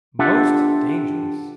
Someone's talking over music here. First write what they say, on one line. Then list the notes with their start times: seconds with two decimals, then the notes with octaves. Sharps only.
Most dangerous!
0.19 D4 F4 G4 A4 E5 F#5